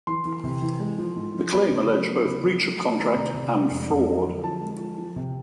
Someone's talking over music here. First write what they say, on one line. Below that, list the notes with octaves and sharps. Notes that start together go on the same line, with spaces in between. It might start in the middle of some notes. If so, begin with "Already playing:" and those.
The claim alleged both breach of contract and fraud.
E3 C6
E3
C3
E3
G#3
F3
G#2
F3
B3 B5
C#3
F#3
B3
C#3
F#3
A3
A3
D#3 A#5
B5
C3 A#5
C3
G#3
F2
F2
F#3
D3
F3 A5
G#3
F3
F3
C3